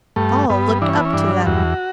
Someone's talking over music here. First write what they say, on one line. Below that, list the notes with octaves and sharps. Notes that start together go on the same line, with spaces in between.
All looked up to them.
G2 A3
G2 B3
E3 D4
C#4
B3
C#4
G2 D4
E2 F#4